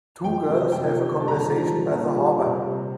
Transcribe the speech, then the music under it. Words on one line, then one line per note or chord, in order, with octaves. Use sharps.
Two girls have a conversation by the harbor.
F3 G5
C3
F3 G5
C3
G3 A5
A#5
A5
A#2
G3
A#2
G3
C3
G3